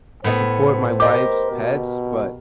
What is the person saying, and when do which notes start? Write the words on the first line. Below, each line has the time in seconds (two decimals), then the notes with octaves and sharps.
I support my wife's pets, but
0.24 A2 B3 C5
1.00 G4 A#4 D#5 D6
1.52 B2